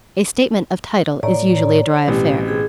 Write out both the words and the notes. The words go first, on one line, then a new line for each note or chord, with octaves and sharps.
A 'statement of title' is usually a dry affair.
A2 C#5 D5 A#5
A1 B2 C4 G4
G#4